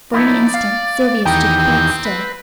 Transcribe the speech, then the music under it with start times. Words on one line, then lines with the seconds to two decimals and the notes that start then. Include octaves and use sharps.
For an instant Sylvia stood quite still.
0.13 F3 D#4 E4 D5
0.54 F5
1.25 E2 D#3 D#4 G4 G5
1.57 C4
2.05 B4